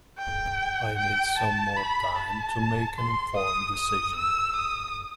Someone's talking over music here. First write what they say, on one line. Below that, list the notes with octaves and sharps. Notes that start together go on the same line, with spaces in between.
I need some more time to make an informed decision.
G5
G5
A5
B5
A5
C6
D#6
D#6
E6
D#6